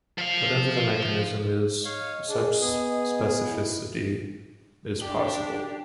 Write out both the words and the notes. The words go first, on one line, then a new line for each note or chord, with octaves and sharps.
Whatever the mechanism is, such specificity is possible.
F3 F5
C#5 D#5 F5
D4 G#4
B3 G#4
E4
D4 G4